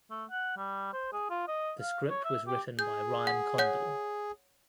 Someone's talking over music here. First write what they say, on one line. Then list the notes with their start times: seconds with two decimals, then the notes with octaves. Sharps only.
The script was written by Ryan Condal.
0.11 A3
0.31 F#5
0.57 G3
0.93 C5
1.13 G#4
1.30 F4
1.48 D#5
1.80 F5
2.10 C#5
2.25 E5
2.48 G4
2.79 G#4 G6
3.27 F#5
3.58 C#5 F#5 G6